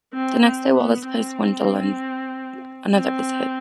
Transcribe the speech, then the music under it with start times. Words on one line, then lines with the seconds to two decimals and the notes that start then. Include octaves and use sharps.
The next day, Wallace pays Wendolene another visit.
0.14 C4
0.45 C4
0.75 B3
1.07 C4
2.93 C4